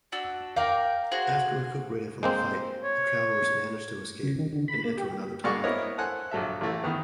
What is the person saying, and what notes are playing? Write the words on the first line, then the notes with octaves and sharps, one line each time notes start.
After recuperating from the fight, the travelers manage to escape, and enter another tunnel.
D4 F#4 E6
A#4 D5 F5 G5
F#4 G#4 C5
G#3 A#3 C4 C5
C#5
C#3
D#3
D3
B5
A#3
G4
G2 G#3 A#3 F#4 D5 C#6
B3 C4 E4 A#4 C#5 D#5
A4 C5 F#5 G#5
A#1 F#3 A4 E5
A1 E3 A3
D#3 E3 B3